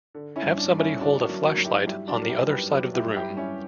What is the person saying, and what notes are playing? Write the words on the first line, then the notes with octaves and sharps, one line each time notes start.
Have somebody hold a flashlight on the other side of the room.
D3
C#4 E4
G2
D4
G2
C#4 E4
D3 D4 F#4
F#4 A#4
F#3
F#4 A#4
F#3
E4 G4
G2 E4 G4
D4 F#4
F#3
A#4
E4 G4
G2
G4 B4
F#3 G4 B4
E4 G4
G2
E4 G4
G2
C#4 E4